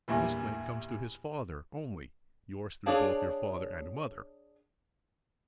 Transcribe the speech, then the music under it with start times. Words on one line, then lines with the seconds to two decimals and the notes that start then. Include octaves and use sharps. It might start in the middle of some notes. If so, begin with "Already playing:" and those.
His claim comes through his father only--yours through both your father and mother.
0.08 E2 G2 A#2 E3
2.86 D4 G#4 C#5 D5 F5 A5